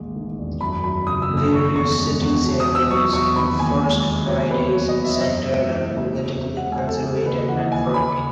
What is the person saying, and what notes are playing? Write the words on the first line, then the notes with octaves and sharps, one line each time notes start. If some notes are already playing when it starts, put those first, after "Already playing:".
Various cities areas have First Fridays centered on politically conservative networking.
Already playing: A1 D#2 G#3
D#3
E1
F#2 B5
F#3 B5
C#3 D#6
E6
F#1
E6
D#3 C#6
E2 C#6
G#3
E2
B2
D#6
E2
E6
F#3 C#6
E2 C#6
D#3 B5
D#2 G#5
G#3
D#2
B2 C#5
E2 B4
F#3 C#5
D#5
E2
E5
F#2 D#5
G#3 E5
E3
F#1
B2
E2
G#3 F#5
G#5
E2
A4
C#3 G#4
A4
D#2 B4
D#5
E3 F#5
D#2 G#5
C#3 B5